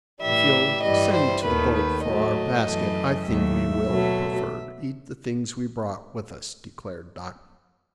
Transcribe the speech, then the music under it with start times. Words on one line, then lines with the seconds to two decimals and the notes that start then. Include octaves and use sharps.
"If you'll send to the boat for our basket, I think we will prefer to eat the things we brought with us," declared Dot.
0.21 A2 E3 G3 E5
0.81 G2 E3 G3 D#5
1.13 C5
1.43 D#2 D#3 A3 B4
1.74 B4
2.04 A2 F#3 A3 D#5
2.65 F#2 E3 A3
3.26 D#2 D#3 F#3 A3 E5
3.88 B2 F#3 A3